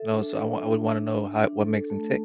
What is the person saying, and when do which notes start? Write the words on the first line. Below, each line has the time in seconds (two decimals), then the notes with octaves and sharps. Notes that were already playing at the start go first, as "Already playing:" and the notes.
You know, so I wou I would wanna know how what makes him tick,
Already playing: A4 E5
0.11 D4
0.37 E5
0.63 D4
0.88 D4
1.14 D4
1.40 D4
1.64 A4
1.90 A3